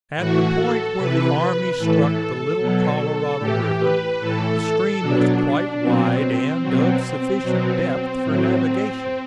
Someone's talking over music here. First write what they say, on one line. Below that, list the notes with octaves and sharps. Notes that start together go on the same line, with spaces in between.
At the point where the army struck the Little Colorado River, the stream was quite wide and of sufficient depth for navigation.
A2 E3 F#4
A4
C3 E3 B4
A2 E3 A4
B2 F#3
A2 E3 G4
B4
A2 E3 A4
B2 F#3 D4
B2 F#3 C4
B2 F#3 C4
B2 F#3
A2 F#3